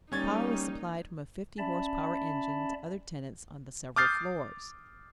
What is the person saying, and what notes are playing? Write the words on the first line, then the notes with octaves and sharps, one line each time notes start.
Power was supplied from a fifty-horse-power engine to other tenants on the several floors.
G3 A#3 C#4 D#4 G#6 A6
C#4 D5 E5 A5 B5
D6 D#6 F6 G6 A6 C7